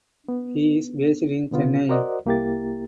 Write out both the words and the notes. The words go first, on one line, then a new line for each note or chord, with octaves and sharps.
He is based in Chennai.
B3
B2 D3 B3 F4
F#4 A#4 C5 D5 D#5 F#5
C2 A#3 E4 G4 A#4 A6